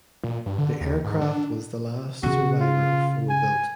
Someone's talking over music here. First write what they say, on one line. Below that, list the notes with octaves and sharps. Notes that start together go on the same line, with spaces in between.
The aircraft was the last survivor of four built.
A#2
G2
D3
D#2
G#2
D4
C#3 C#4 F#4
F4
G#5